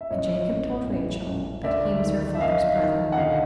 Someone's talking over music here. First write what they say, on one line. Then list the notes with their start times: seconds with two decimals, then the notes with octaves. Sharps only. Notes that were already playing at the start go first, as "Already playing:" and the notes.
And Jacob told Rachel that he was her father's brother.
0.01 E5
0.11 A1 C#5 D#5
0.49 A1
0.87 A1
1.26 A1
1.64 D2 D5 E5
2.02 D#3
2.35 E5
2.41 D#3 D#5 F5
2.79 D#3
3.12 F#5
3.17 D2 D#5 F5